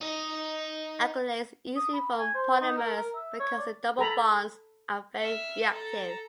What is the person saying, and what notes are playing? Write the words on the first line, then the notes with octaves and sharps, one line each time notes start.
Acrylates easily form polymers because the double bonds are very reactive.
D#4 D#5
D#6
B5
G#5
C5
D#4
A#4
A#4
E5
C#5
D5
A4 A#5 B5
E5 F6
A4 A#5